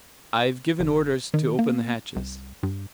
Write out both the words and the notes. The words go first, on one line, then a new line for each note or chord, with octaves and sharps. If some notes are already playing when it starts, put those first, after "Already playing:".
"I've given orders to open the hatches."
F#1
D#3
A#3
C2
G2